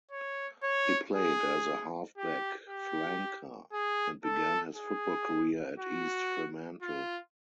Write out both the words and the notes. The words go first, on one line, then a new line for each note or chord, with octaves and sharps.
He played as a half-back flanker and began his football career at East Fremantle.
C#5
C#5
G#4
G4
G4
G#4
A4
G#4
F#4
F4